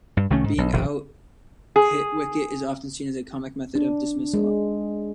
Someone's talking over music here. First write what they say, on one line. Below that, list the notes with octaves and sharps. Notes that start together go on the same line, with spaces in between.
Being out hit-wicket is often seen as a comic method of dismissal.
G2
C2 D#3 A3 C#4
G#2
B1
F1 A#1 C3 D#3
G#4
D4
G#3